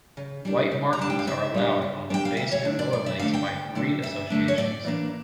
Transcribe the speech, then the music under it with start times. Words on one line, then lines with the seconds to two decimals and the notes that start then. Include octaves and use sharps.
White markings are allowed on the face and lower legs by breed associations.
0.17 C#3
0.45 G3 D4
0.71 C#3
0.93 A#5
0.99 G3 D4 A5
1.10 G5
1.19 F5
1.27 C#3 E5
1.54 G3 D4
1.82 C#3
2.10 G3 D4 G5
2.25 F5
2.37 D2 E5
2.52 C#5
2.65 D3 A3 D4
2.79 D5
2.92 D2 D5
3.06 E5
3.19 D3 A3 D4 F5
3.33 G5
3.47 D2
3.75 D3 A3 D4
4.02 D2 E5
4.30 D3 A3 D4
4.48 C#5
4.57 A2 D5
4.85 E3 A#3 D4